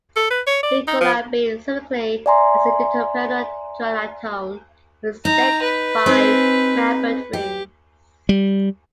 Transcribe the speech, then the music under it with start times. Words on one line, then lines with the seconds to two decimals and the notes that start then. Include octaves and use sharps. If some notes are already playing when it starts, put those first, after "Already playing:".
Ginkgolide B specifically, is a diterpenoid trilactone with six five-membered rings.
0.16 A4
0.31 B4
0.47 C#5
0.63 D5
0.88 D#4
1.01 F3
2.26 D5 E5 G#5 A#5 C6
5.25 D#4 A#5
5.63 B4
6.06 C4 D#4 G#4
7.33 G4
8.29 G3